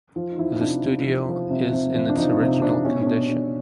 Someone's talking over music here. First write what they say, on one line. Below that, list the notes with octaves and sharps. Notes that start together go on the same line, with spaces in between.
The studio is in its original condition.
F3 F4
D#4
F3 E4
D#4
C3 D4
C3
F3
F3
C3
C3
F3
D4
F3 D#4
C3 D#4
C3 D4
B2 C#4
C#4
B2 D4
B2 D4